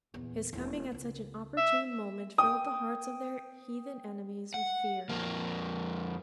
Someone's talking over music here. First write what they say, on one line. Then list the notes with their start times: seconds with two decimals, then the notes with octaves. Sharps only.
His coming at such an opportune moment filled the hearts of their heathen enemies with fear.
0.14 D#1 E2
0.53 E1 D#2
0.92 C#2 C#4
1.57 E5
2.38 G5 D#6
4.54 F#5
5.09 F2 A#3